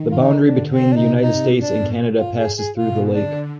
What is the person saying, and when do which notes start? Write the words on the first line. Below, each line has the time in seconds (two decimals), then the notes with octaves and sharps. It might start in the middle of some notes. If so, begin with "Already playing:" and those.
The boundary between the United States and Canada passes through the lake.
Already playing: D#3
0.11 F4
0.20 D#4
0.45 D3 D4
0.71 C4
0.84 C3
0.92 D4
0.96 D#4
1.22 C3 D#4
1.61 B2 D4
2.18 F4
2.38 G#4
2.57 G#4
2.76 B2 F4
3.14 D3 D4